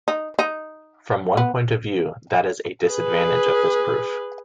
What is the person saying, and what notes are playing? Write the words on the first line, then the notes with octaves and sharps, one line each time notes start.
From one point of view, that is a disadvantage of this proof.
D#4
D#4
B3
G#4 B4